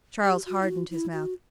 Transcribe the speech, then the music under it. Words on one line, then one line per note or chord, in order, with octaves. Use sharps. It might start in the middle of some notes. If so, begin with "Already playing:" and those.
Charles hardened his mouth.
G4
F#4
E4
F#4
E4
F#4